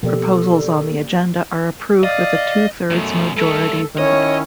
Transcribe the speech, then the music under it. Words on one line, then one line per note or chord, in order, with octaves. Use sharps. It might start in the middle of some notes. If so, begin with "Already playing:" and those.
Proposals on the agenda are approved with a two-thirds majority vote.
B2 F3 A#3 G4 A4 D5
D5 D#5 F5
F#2 B2 A3
G2 A3 A4
D#3 C#4 E4 C#5 D#5